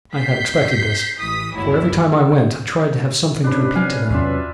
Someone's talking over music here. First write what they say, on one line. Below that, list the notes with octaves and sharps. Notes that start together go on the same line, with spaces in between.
I had expected this; for, every time I went, I tried to have something to repeat to them.
G6 B6 C7
A1 E3 D#6 B6
G1 D#2 F#3 E4
C3 C#4 D4 B4
F5 G#5
E2 C3 F#3 B3 C#4 F4 D5 E5